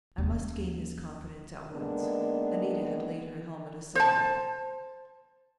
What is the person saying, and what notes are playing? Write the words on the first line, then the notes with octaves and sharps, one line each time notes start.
I must gain his confidence at once. Anita had laid her helmet aside.
D#2 C#4
D3 D#3 G#3 A#3 B3 D4
C5 A5